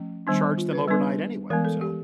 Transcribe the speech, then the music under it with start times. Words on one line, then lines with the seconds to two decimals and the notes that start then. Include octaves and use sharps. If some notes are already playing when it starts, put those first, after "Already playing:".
charge them overnight anyway, so
Already playing: F3 A3 C#4
0.27 D#3 G3 B3 D4
0.58 F4
0.73 B4
0.88 G3 B3 D4 B4
1.50 E3 G#3 B3 A#4
1.65 A4
1.81 G4